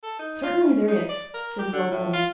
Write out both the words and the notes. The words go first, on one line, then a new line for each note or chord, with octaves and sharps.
"Certainly there is," said the old woman.
A4
D#4
F4
C#4
D#4
D5
A#4
G4
D3
A2
F4